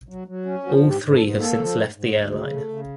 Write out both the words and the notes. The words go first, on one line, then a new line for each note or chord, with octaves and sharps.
All three have since left the airline.
F#3
F#3
C#4
F3 F#4
G#2
G4
G#2
A4
G#2
A#3 A4
F3
G#2
G#2
D2
C#3
A3
C#3